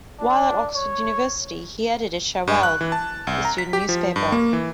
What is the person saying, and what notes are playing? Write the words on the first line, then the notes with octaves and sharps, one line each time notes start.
While at Oxford University, he edited "Cherwell", the student newspaper.
D4
C#5
G2
F#6
E3
A5
C2
A#5
B6
G4
F3
G2
A#3
E3